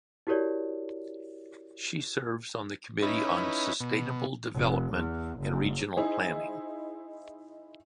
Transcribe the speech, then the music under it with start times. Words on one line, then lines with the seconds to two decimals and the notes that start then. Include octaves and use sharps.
She serves on the Committee on Sustainable Development and Regional Planning.
0.27 E4 F#4 G4 A#4 C#5 D5
3.02 C#4 D#4 E4 B4
3.80 B2
4.54 F1
4.93 E2
5.39 F#1
5.97 D#4 E4 G#4 C5